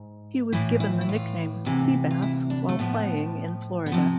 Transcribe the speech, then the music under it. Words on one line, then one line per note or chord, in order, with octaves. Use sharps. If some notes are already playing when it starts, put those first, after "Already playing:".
He was given the nickname "Sea-bass" while playing in Florida.
Already playing: G#2
A2 E3 E4
E4
E4
F4
D2 C3 E3
F4
E4
D4
A3
A2 F3 B3
B3
C3 F3 A3